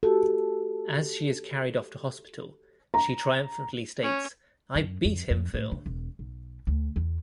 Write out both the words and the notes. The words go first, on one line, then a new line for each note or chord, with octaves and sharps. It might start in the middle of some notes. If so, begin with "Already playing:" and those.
As she is carried off to hospital, she triumphantly states: I beat him, Phil.
F#4 G4 A4
A#5
C#4
F#2
F2
F2
A2
D3
E1
B1
D2
E2